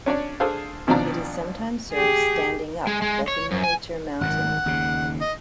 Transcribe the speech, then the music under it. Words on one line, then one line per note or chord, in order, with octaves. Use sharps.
It is sometimes served standing up like a miniature mountain.
C#4 D4 C#5 D5
D4 G#4 A4 C5 F5
G#1 B2 F3 D4 D5 A#5
G4 G#4
G#3
G#3
C#5
F#2
G#5
G#1 F#2 D#3 F#5
D#2 C#3
D#5